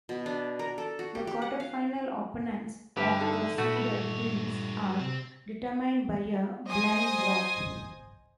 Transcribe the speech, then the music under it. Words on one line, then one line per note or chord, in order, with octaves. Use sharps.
The quarterfinal opponents of the seeded teams are determined by a blind draw.
B2
D4
A#4
A4
F#4
G4
G4
F#5
F5
G2 D3 G4 B4 E5
D#4 A4
B1 A#2 A3 F#4 B5
G2 C#5
C3 C4
C5 D#5 G#5 D#6